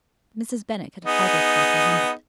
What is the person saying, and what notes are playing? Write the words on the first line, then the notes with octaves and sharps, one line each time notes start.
Mrs. Bennet could hardly comprehend it.
B3 D#4 G#4